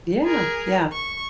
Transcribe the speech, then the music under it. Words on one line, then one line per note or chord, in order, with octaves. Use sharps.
Yeah. Yeah.
G#4 A#4
C#6